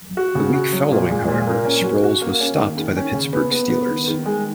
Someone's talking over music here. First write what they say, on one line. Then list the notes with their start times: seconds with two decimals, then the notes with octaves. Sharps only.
The week following however, Sproles was stopped by the Pittsburgh Steelers.
0.17 F#4
0.35 C#3
0.54 F#4
0.72 F#3
0.92 A#2
1.10 G#3
1.28 A#2
1.47 A#4
1.65 C#4
1.84 F#4
2.03 F#4
2.22 A#3
2.40 C#4
2.59 D#3
2.78 D#3
2.96 C#4
3.14 C#3
3.33 B3
3.51 B3
3.70 B3
3.88 D#3
4.08 D#3
4.26 G#3